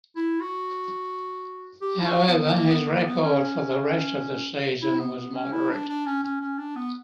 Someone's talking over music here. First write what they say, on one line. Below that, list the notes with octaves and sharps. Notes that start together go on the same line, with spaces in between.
However, his record for the rest of the season was moderate.
E4
F#4
G4
E4
F#4
B3
A#3
B3
A#3
B3
C#4
E4
B3
B3
C#4
E4
D4
D4
C#4
C#4
C#4
D4
B3